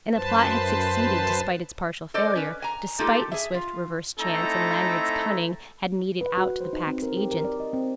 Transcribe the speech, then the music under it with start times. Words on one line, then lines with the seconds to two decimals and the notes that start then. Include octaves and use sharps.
And the plot had succeeded despite its partial failure, despite the swift reverse chance and Lanyard's cunning had meted out to the Pack's agent.
0.14 F#2 B4 C5 A5
2.14 A4 C5 D5 D#5
2.35 C#4 B4
2.62 G#5 A#5
2.99 A3 A#3 D#4 F4 G4 A4
3.32 G#4 E5
3.54 F4
4.19 A3 C4 D#4 E4 A4 A#5
6.21 B4
6.38 F#4
6.61 C5
6.73 D#4
6.87 C4
7.03 A#4
7.17 G4
7.32 A#4
7.44 D5
7.60 D#5
7.73 C4